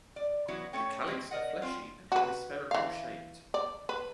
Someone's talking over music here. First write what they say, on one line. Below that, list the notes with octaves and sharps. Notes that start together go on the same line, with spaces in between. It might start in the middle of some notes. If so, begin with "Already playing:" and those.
The calyx are fleshy and hemispherical shaped.
D5
E3 F#3 B3 C#4 E4 F#4
A3 C#4 A4 C#5 G5
D3 D#3 A3 A#3 C4
A#4 D5 D#5 F#5
C4 F4
F#4 B4
E3 F5
D5
B4